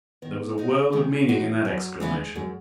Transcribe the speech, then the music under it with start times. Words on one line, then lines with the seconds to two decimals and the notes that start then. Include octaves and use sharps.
There was a world of meaning in that exclamation.
0.22 D#3 B3
0.58 G#3 D#4 F#4
0.93 D#3 G#3
1.29 G#3 D#4 F#4
1.40 E3
1.65 F#2 F#3
2.00 C#3 E3 G#3 B3 E4
2.36 F#2 G#3